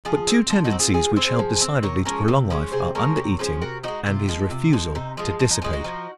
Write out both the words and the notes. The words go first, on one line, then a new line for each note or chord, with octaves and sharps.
But two tendencies which help decidedly to prolong life are under-eating and his refusal to dissipate.
F3 F4 G#4
C4
F3 F4
D#4 F#4
C4
F4 G#4
F3 F4 G#4
C4 G#4 C5
F3
C4
C3 A#4 C#5
F3 G#3 C#4 A#4 C#5
C3
F3 G#3 C#4
C3 G#4 C5
F3 G#3 C#4 A#4 C#5
C3
F3 G#3 C#4
C3 F#4 A#4
F3 G#3 D#4 F#4
C3 F4
F3 G#3
C3
F3 G#3
C3 D#4
F3 G#3 F4
F3 F4
D#4
G#3 C#4 F4
D#4 F#4
F3